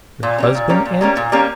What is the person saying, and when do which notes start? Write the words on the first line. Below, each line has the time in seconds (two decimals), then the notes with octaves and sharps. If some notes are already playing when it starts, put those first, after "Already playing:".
'Your husband, aunt?
0.23 A#2
0.38 G3 A#3 C#4
0.55 A#2
0.69 G3 A#3 C#4
0.85 A#2
1.01 G3 A#3 C#4
1.17 A#2
1.32 G3 A#3 C#4